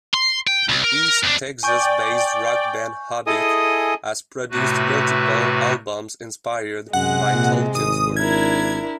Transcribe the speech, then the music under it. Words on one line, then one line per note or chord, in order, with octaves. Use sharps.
The East Texas-based rock band Hobbit has produced multiple albums inspired by Tolkien's work.
C6
G5
C2
A#4
F2 D4
D5 G5 G#5 C#6 G6
E4 G#4 A4 D#5 G#5 D#6
A2 C3 A3 F#4 B4
F#2 C3 G#3 F#5
A#2
G#1 D#6
D4 E4 A#4 G#6